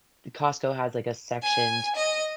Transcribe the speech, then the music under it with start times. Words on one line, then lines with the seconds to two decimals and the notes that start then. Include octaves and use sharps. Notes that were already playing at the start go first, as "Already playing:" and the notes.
The Costco has, like, a sectioned
1.43 G#5
1.96 D#5